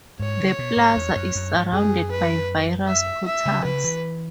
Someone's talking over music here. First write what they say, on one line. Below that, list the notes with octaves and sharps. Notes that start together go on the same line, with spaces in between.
The plaza is surrounded by various portals.
G#2 C#5
C#3
B2
G#2
E2
F#2
F#2
G#2
F#2 G#4
B4
E5
E5
C#3
C#3 B4
E3